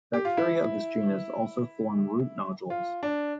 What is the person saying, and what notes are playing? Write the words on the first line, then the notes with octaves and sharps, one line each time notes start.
Bacteria of this genus also form root nodules.
G4
F4
E4
F4
D4